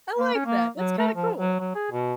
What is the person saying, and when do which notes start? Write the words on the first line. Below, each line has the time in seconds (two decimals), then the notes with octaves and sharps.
I like that, that's kinda cool.
0.19 A#3
0.35 C#4
0.46 A#3
0.77 F#3
0.98 A3
1.16 F3
1.38 F#3
1.60 F#3
1.75 G#4
1.92 B2